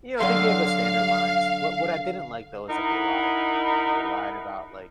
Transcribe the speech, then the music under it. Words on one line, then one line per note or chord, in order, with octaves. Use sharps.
You know, they gave the standard lines, what what I didn't like, though, is that they lied, you know? They lied about, like
D3 F#3 F5 C6
D#4 E4 A#4 D#5 F#5 B5